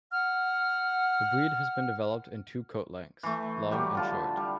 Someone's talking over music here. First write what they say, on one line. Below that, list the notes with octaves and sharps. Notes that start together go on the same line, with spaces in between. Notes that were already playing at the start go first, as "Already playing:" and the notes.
The breed has been developed in two coat lengths, long and short.
F#5 F6
E3 A3
F#3 G3 G4
D3 F4 A5
G3